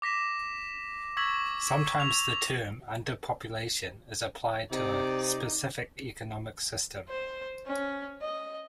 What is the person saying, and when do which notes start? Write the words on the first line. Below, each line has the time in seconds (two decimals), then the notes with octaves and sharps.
Sometimes the term underpopulation is applied to a specific economic system.
0.02 D6 A#6 B6 E7
1.17 C#6 E6 G#6 A#6 B6 F#7
2.00 F7
4.72 C3 D#4 D5
7.09 C5
7.66 C#4
8.21 D#5